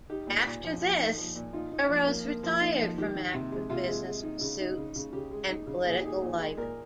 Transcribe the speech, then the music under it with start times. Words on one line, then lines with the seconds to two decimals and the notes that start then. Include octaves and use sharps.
After this, Burrows retired from active business pursuits and political life.
0.10 D#4 G4
0.27 A#2
0.46 A#2
0.64 F3
0.81 F3
1.00 D#4
1.18 F3
1.35 A#2
1.53 D#4 F4
1.72 D#4
1.89 F3
2.07 A#3
2.26 A#3
2.43 F3
2.61 D#4
2.79 F3
2.97 D#3 G4
3.15 D#3
3.34 C3
3.52 G#3
3.70 C3 F4
3.87 G#3
4.05 G#3
4.23 D#4
4.41 C#3
4.60 D#4
4.77 C#3
4.96 C#3
5.13 C#3 G4
5.31 G#3
5.50 D#4
5.67 C#3
5.85 A#2 G#4
5.95 G4
6.03 D#4 G#4
6.22 A#2
6.39 G#3
6.57 A#2 A#4